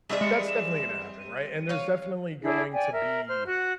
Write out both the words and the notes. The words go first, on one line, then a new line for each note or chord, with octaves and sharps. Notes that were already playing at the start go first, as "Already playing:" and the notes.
that's definitely gonna happen, right? And there's definitely going to be,
E3 G3 C4 G#4 D5 E5
G#3 C#7
E7
D#7
C#5 F5
D4 E4 G#4 A4
D5 G5 G#5
A#4 E5
C5 F6
F#4 F#5 F#6